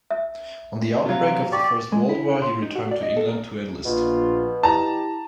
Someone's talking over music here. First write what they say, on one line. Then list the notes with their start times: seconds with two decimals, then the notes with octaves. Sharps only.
On the outbreak of the First World War he returned to England to enlist.
0.10 E5
1.06 C3 F#3 F4
1.52 G4 D5 C#6
1.92 G#3
2.09 E4
2.29 D3
2.42 C6
2.62 D#4
2.76 F#4
2.91 D5
3.03 D#5
3.17 A4
3.29 A#4
3.85 A#1 B2 F4
4.63 E4 G4 A5 A#5